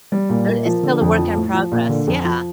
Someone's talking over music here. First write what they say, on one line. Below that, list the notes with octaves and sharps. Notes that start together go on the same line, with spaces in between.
But it's still a work in progress, yeah,
G3
A#2
A#3
F3
D3
F2
F3
A2
F3
A#2
D3
F2
F3